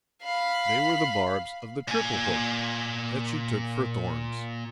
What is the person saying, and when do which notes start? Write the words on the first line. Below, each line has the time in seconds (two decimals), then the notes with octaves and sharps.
They were the barbs of the triple hook that she took for thorns!
0.22 F5 B5
1.88 A#2 G#5